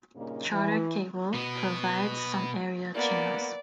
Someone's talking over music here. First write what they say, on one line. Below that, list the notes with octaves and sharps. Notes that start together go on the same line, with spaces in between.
Charter Cable provides some area channels.
G2 A#2 C#3 A#3 D#4
E3
B2 B3
A#3 B3 D5